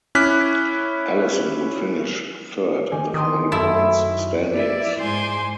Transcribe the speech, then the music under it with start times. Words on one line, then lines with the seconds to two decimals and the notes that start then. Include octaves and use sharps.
Allison would finish third in the final points standings.
0.15 C#4 E4 D6 F6 F#6 B6
2.91 D#3 G#5 D6
3.14 D#3 C6 D6 D#6
3.52 F#2 D#4 E4 A4 C6
4.54 E4 D5
5.00 G#2 G#3 C5 G#5 C6 D6